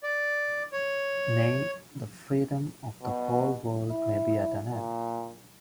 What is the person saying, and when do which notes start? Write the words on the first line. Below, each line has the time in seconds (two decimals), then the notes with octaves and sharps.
Nay, the freedom of the whole world may be at an end!
0.03 D5
0.73 C#5
3.03 B2
3.90 E4
4.71 A#2